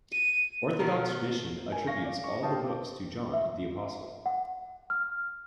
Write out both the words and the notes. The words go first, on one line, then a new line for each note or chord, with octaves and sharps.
Orthodox tradition attributes all the books to John the Apostle.
D#7
B2 D#3 F3 B3 A4 A#4
A#4 G#5
F5 C#6 A#6
D5
C#6
G4 C5 F5 G5 A5 D#6
E5
F#5
F6